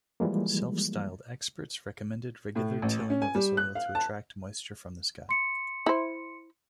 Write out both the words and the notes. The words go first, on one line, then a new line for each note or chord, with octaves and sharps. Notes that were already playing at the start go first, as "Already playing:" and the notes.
Self-styled experts recommended regular tilling of the soil to "attract" moisture from the sky.
E3 F3 G3 G#3 A#3
A2
A1
C#4
G#5
G3
F#6
F5
A5
C6 C#7
E4 C5